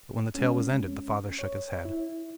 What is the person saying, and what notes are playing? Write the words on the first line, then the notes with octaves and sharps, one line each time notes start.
But when the tale was ended the father shook his head.
G#3 C#4
C#5
E4